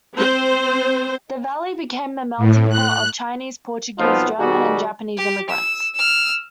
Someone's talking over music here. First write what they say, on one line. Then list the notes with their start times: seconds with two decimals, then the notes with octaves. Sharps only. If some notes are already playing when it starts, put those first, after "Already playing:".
The Valley became a melting pot of Chinese, Portuguese, German, and Japanese immigrants.
0.15 C4 C5
2.37 A2
2.69 F#6
3.99 B1 F3 B3 C4 D#4 F4
4.38 B2 D#3 G3 D#4 F#4 G#4
5.17 G4
5.50 E6
5.95 E6 F6